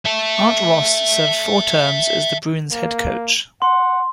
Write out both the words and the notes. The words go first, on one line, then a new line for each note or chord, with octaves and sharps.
Art Ross served four terms as the Bruins head coach.
E5 A5
A#3
F#5 C6